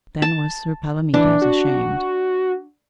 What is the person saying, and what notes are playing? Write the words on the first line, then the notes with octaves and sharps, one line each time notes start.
Then was Sir Palomides ashamed.
A5
E3 D4
F#4